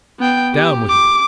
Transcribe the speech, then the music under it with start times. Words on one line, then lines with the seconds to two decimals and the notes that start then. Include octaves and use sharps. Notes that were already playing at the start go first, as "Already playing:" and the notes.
"Down with you!"
0.19 B3 G5
0.54 G4
0.89 D6